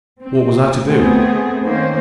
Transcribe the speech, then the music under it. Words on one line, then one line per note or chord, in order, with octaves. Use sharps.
What was I to do?
C4
A3 B3 C4 G#4
D#3 A#3 C4 C#4 C5